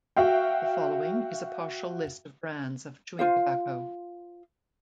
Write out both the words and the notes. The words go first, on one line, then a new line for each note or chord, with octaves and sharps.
The following is a partial list of brands of chewing tobacco.
F#4 E5 F5 G5
F4 C5 F5